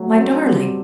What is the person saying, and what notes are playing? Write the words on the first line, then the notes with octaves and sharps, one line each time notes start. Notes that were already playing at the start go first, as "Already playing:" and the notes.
"My darling!"
Already playing: F#3 A3
C4
G3